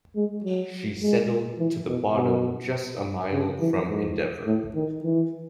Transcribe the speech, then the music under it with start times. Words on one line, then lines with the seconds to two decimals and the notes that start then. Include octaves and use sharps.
She settled to the bottom just a mile from "Endeavour".
0.16 G#3
0.44 F#3
1.02 G#3
1.59 E3
1.87 B2
2.17 B2
3.32 C#3
3.60 E3
3.89 G#2
4.46 A2
4.75 D#3
5.04 E3